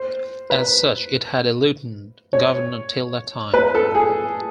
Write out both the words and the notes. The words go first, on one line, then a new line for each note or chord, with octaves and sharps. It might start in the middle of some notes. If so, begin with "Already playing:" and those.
As such it had a Lieutenant Governor till that time.
Already playing: C5
B4
C#5
B4
A4
G#4